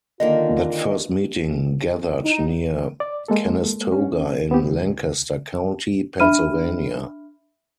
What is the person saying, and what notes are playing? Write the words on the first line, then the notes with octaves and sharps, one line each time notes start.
That first meeting gathered near Conestoga in Lancaster County, Pennsylvania.
D3 D#3 A#3 F4 D#5
D#4
D5
G#3 A#3 A4
C#4
B3 C4 G4
C#2
D4 E5 B5 F6 D#7